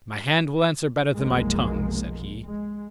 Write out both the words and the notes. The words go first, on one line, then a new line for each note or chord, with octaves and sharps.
'My hand will answer better than my tongue,' said he.
F1 B1 F#2 F3 G#3 A#3
G#3